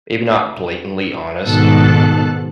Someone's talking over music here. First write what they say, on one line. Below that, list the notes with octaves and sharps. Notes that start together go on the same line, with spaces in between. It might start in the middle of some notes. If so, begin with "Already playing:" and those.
maybe not blatantly honest.
G#2 B2 D#3 A4 A5 F#6